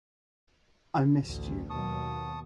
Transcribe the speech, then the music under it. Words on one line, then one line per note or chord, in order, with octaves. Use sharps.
I missed you.
A1 D2
D#2 B2 F#3 A5 C#6 D#6